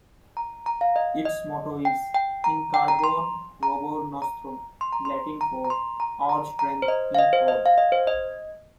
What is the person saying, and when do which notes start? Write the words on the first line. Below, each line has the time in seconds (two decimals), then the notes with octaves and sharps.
Its motto is "In Carbone Robur Nostrum", Latin for "Our Strength in Coal".
0.37 A#5
0.66 A#5
0.81 F5
0.96 D#5
1.25 D#5
1.85 G5
2.15 G5
2.44 A#5
2.74 G5
2.88 A#5
2.99 A#5
3.04 C6
3.63 A#5
4.22 A#5
4.81 C6
4.93 A#5
5.05 C6
5.41 A#5
5.65 A#5
5.70 C6
6.00 A#5
6.29 A#5
6.59 A#5
6.82 C5
6.88 D#5
7.15 F5
7.19 D#5
7.33 C5
7.48 D#5
7.66 F5
7.78 D#5
7.92 C5
8.07 D#5